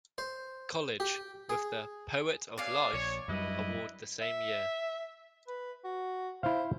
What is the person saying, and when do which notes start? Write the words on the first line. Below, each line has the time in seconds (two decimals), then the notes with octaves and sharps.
College with the "Poet of Life" award the same year.
0.18 C5
1.00 G4
1.49 G#4
2.58 G2 C#4 D5 F5 G#5
2.93 A#1 C#5
3.28 F#2 F#3 G3 E4 B4 D#5
4.21 E5
5.48 B4
5.84 F#4
6.43 E4 C5 F5